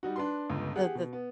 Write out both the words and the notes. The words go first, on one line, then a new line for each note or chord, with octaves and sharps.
the the
G3 D#4 F#4
D4 B4 C6
G1 C#2
G4 G#4 F#5
B2
B3